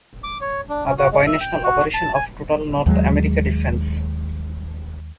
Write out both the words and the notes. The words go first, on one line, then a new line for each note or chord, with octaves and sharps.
The bi-national operation of total North America Defense.
D6
C#5
D4
C#4
F#4
G#3
E5
G5
F#4
A5
G#5
D#2 F#3 G#3